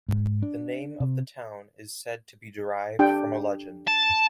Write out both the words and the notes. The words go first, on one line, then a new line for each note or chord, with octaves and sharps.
The name of the town is said to be derived from a legend.
G#2
D4
C3
D4 G4 G5
A5